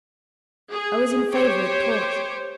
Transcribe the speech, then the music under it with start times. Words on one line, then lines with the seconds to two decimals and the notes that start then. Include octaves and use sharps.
I was in favour at Court.
0.71 G#4
1.30 G4 C5 C#5